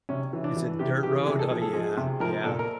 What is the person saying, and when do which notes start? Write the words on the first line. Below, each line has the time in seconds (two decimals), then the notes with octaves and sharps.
Is it dirt road? Oh, yeah, yeah.
0.09 C3 C#4
0.33 E3
0.44 D4
0.57 E3
0.79 C3 G4
1.03 E3 G4
1.26 C3 G#4
1.39 A4
1.50 F3 G#4
1.62 A4
1.73 F3 G#4
1.97 C3
2.20 F3 A#4
2.44 A#2 A4
2.59 A#4